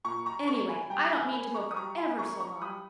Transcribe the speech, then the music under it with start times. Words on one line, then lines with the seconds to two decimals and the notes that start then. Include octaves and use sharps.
Anyway, I don't mean to go for ever so long.
0.04 A#2 A#5 C#6
0.26 A#5 C#6
0.48 A#3 D#4 A#5 C#6
0.69 G#5 B5
0.82 G#5
0.90 G3 G5 A#5
1.11 G#5 B5
1.33 A#3 C#4 G#5 B5
1.55 A#5 C#6
1.71 D#6
1.76 G3 A#5 C#6
1.97 G#5 B5
2.18 A#3 C#4 E4 A#5 C#6
2.40 A#5 C#6
2.61 G3 B5 D#6